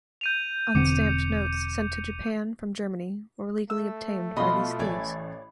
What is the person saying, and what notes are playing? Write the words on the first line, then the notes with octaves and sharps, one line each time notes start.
Unstamped notes sent to Japan from Germany were legally obtained by these thieves.
G6 D#7 F7
E1 D3 C4 D6 C#7
A3 E6
B2 F3 F4 D#5 B5 C6
A1 C#5 D5 G#5